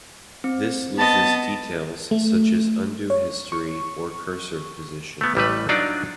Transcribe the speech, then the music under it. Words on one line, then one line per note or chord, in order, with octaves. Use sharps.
This loses details such as undo history or cursor position.
C4
B3 D#5 A5
A3
C#5
C#6
A3 B3
A1 G3 A3 B4
F#3 D4 D#4 F4 D5